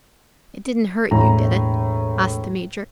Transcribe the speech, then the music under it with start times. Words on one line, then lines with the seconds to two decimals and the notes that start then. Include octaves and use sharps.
"It didn't hurt you, did it?" asked the Major.
1.11 E1 A2 A#5